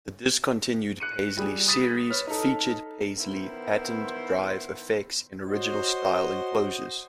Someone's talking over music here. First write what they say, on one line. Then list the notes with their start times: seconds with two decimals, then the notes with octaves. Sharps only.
The discontinued Paisley series featured paisley-patterned drive effects in original style enclosures.
1.00 F#6 C#7 D#7
1.37 G3 G4 G#4
1.68 D#6 A6 B6 D#7
2.10 B4 C#5 F6
2.27 D#4 A4
3.16 D#3 B3 E4 C5
5.46 F#4 C5 C#5 D#5